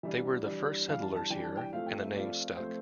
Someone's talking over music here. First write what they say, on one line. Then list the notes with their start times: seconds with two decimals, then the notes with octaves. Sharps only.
They were the first settlers here and the name stuck.
0.03 E3 G3 D4 E5
0.46 E3 G3 D4
0.88 E3 G3 D4 F5
1.02 A5
1.16 A5
1.30 E3 G3 D4 G5
1.44 A5
1.57 G5
1.73 F3 A3 C4 F4 F5
1.86 G5
2.00 E5
2.15 F3 A3 C4 F4 D5
2.57 F3 A3 C4 F4 C5